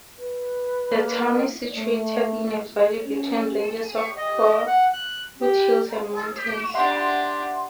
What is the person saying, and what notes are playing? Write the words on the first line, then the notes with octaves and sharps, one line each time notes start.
The town is situated in a valley between ranges of foothills and mountains.
B4
A#3
A3
C#4
C#6
D#5
F#5
F#6
G4
D4 G4 E5 F#5 C6